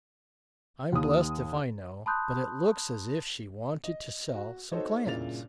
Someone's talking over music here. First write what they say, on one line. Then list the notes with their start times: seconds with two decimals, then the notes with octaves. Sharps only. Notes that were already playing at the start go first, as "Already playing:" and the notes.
"I'm blessed if I know, but it looks as if she wanted to sell some clams."
0.92 D#2 D#6
2.06 A5 B5 C6 D#6 F#6 G6
3.84 D#5
4.35 F#4
4.72 D#4 F#4 A4 C5 C#5 D#5
5.05 G1 A#2 C#3 E4 A6 F7